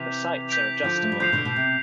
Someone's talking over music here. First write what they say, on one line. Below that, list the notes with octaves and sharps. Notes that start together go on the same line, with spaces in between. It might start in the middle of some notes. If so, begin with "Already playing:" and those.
The sights are adjustable.
Already playing: C3 E3 D6 G6 B6 F7
G6 B6 D7 F7
D3 F3
A3
G3
D3 F3 G6 C7 F7
B2 D3
B2
C3